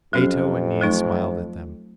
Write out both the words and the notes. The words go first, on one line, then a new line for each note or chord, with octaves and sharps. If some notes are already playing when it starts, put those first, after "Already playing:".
Ato and Nea smiled at them.
F2 F#3 C#4 G4
F#3 A3 D#4